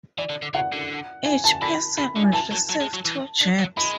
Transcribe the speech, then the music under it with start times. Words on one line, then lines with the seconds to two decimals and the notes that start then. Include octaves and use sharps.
Each person will receive two jabs.
0.18 E3 D5
0.29 D3
0.42 D3
0.54 C#3 F#5
0.72 D3
1.26 G#5
1.44 A5
1.62 D3 B5
1.98 C#3 B5
2.16 D3
2.23 G#5
2.33 E3 A5
2.51 F#3
2.70 F#3
2.81 G#3
2.94 F#3
3.05 E3
3.41 D3
3.59 F#3
3.77 G#3 B5